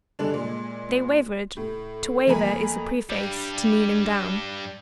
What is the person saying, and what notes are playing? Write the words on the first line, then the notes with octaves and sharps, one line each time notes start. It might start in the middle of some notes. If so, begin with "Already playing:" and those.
They wavered--to waver is the preface to kneeling down.
G2 D3 G#3 D4
A#2 G#3
A2
F2 A3 A#3 A#4 G#5 B5
G2 G3